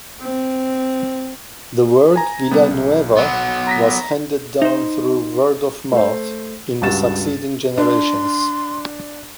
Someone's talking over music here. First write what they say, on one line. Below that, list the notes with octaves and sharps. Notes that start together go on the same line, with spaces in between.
The word Villanueva was handed down through word of mouth in the succeeding generations.
C4
G#5 A#5
C3 G3 B3
B1
F#3 B3
A#5 A#6 B6
D#4 C5
A3 C5
C#2 G2 F#4 A6 E7
D4 C6